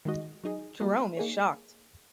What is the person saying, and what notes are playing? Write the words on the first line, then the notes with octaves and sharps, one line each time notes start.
Jerome is shocked.
D#3 G#3 F#4 D#5
F#3 D#4 G#4 D#5
F#3 A#3 D#4 G#4
A#3 D#4 G#4 C#5